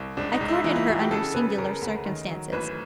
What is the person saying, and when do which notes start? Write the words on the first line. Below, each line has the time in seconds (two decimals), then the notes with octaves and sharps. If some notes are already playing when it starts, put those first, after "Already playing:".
I courted her under singular circumstances.
Already playing: C2
0.17 C#2 D4
0.32 D#4
0.41 C#2
0.48 E4
0.64 E3 D#4
0.70 F4
0.76 E4
0.88 C#2 F#4
0.99 G4
1.11 C#3 A4
1.34 C#3 B4
1.58 C#3 A#4
1.82 D2
2.05 D#3
2.29 F#3
2.53 A1 B4